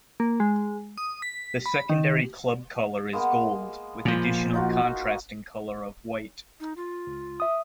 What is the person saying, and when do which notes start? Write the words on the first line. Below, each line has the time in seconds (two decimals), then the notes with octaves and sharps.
The secondary club colour is Gold, with additional contrasting colour of white.
0.20 A#3
0.40 G#3
0.98 D#6
1.22 B6
1.66 B5
1.90 D#3
3.13 G#3 A#3 B3
4.05 A#2 F3
4.54 D#4 F4 F#4
6.60 D#4
6.77 F4
7.07 C#2
7.40 E5 D#6